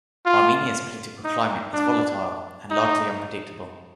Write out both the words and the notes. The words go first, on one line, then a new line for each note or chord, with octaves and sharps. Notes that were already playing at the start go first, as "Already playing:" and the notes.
Armenia's political climate is volatile and largely unpredictable.
F4
D#4
D4
D#4